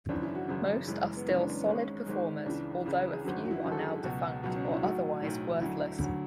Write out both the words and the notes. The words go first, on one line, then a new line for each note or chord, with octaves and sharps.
Most are still solid performers, although a few are now defunct or otherwise worthless.
G#1 F#2 C#3 E3 D4
E4
F#4
G#1 F#2 C#3 E3 E4
F#1 F#2 E3 G#3
B3
F#1 F#2 E3 G#3 C#4
D4
C#4
B3
G#1 G#2 G#3 C#4
G#1 G#2 G#3
C#2 C#3 E3 D4
C#2 C#3 E3
G#4
G#1 F#2 D3 F#4
F#4
E4
G#1 F#2 D3 F#4
A4
G#4
F#4
C#2 B2 F#3 F#4
C#2 B2 F#3
C#4
D4
E4
B1 A2 F#3 F#4
B1 A2 F#3
D2 D3 F#3 E4
D2 D3 F#3